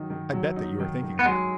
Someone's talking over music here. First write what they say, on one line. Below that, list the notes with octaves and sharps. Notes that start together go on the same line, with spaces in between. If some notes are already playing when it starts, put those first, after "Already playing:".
I bet that you are thinking that.
Already playing: D#3 F#3 D#4
D#3
F#3
D#4
D#3
D#3
B3
F#3 G#3